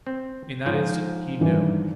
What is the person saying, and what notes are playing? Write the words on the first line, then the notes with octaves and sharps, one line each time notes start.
In that instant he knew.
C4
G#2 F3
G2 D#3 E3